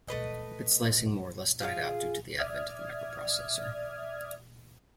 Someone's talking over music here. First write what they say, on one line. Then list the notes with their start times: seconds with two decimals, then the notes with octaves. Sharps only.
Bit slicing more or less died out due to the advent of the microprocessor.
0.08 A3 B4 D#5
1.60 F4 G#4 C5 F5
2.38 D5 E5 D#6 F6 G#6